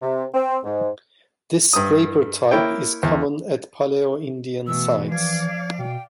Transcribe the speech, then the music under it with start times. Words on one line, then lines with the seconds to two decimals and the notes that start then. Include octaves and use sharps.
This scraper type is common at Paleo-Indian sites.
0.01 C3
0.34 C4
0.64 G#2
1.73 G2 D#6
2.51 A#3 E4 C#5 G5
3.03 E2
4.67 B2 E3 A3 E6
5.12 F3 D5 F5 G#6
5.78 B2 G5